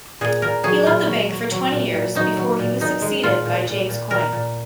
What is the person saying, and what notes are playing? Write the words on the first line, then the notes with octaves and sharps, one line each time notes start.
He led the bank for twenty years before he was succeeded by James Coyne.
A#2 G#4
A#2 A#4
F#3 G#4
A#2 F4
F#3
F#3
F#3
A#2
A#2
F#3 D#4
F#3
A#2
A#2 D#4
G#3
A#2 F4
A#2
A#2
A#2
A#2 A#4
A#2